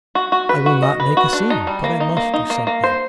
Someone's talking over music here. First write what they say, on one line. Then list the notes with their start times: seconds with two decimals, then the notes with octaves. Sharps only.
'I will not make a scene, but I must do something....
0.15 F#4
0.32 F#4
0.49 B4
0.66 F#4
0.83 D#5
1.00 B4
1.17 F#4
1.33 D4
1.50 D#4
1.67 G3
1.84 A#3
2.00 D#4
2.17 A#3
2.34 D#4
2.50 A#3
2.67 A#3
2.84 C5